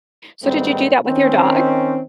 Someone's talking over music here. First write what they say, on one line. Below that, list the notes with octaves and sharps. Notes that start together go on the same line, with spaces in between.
So, did you do that with your dog?
G#2 D#3 G3 A3 B3 C4
D#3 C4 C#4